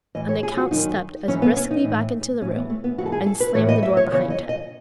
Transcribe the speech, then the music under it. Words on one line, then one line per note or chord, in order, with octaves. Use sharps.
And the count stepped as briskly back into the room and slammed the door behind him.
A2 E3 D#5
C#5
G#4
F#4
F#2 D#3 D#4
G#2 E3 C#4
B3
C#4
D#4
A2 E3
A2 E3 C#4
B3
A3
B3
G#2 E3 F#4
A4
G#4
A4
B4
A2 E3 C#5
D#5
E5
C#5
E2 C#3 E3 C#5
D#5
D#5